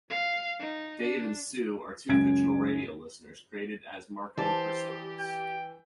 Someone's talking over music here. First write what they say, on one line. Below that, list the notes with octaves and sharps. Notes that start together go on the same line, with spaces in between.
Dave and Sue are two fictional radio listeners created as marketing personas.
F5
D#4
D4
C#2 F#2 C#4 G#6 D7
E3 G4 C5 D5 A5
G5